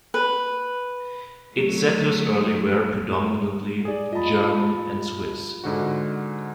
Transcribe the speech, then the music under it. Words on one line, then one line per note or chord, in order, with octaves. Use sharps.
Its settlers early were predominantly German and Swiss.
B4
F#3 A3
G#4 D5
F4 D#5 A5 B5
G#2 D3 F#4